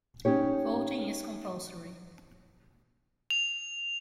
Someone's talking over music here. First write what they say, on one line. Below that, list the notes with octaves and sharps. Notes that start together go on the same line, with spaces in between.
Voting is compulsory.
C#4 D#4 G4 C#5
F7